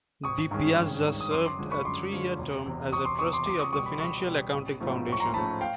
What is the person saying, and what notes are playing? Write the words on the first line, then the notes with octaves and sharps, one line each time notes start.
DiPiazza served a three-year term as a trustee of the Financial Accounting Foundation.
G#1 C#6 D#6
G2 D#3 G#3 C#4
G#1
G2 D#3 G#3 C#4
D#6
F#2 C6 D6
C6 D6
D3 F3 G#3 C#4
B5 C#6
F#2 C6 D6
D3 F3 G#3 C#4
E1
E2 C3
E1 C#6 D#6
C6 D6
E2 C3 C#6 D#6
C6 D6
C#2 C6 D6
C#6 D#6
B2 G3 C#6 D#6
B5 C#6
C#2 B5 C#6
B2 G3
A1
G#2 F3 A3 C#4
A1
C#6
A#5 C6
G#2 F3 A3 C#4 A5 B5
F5 G5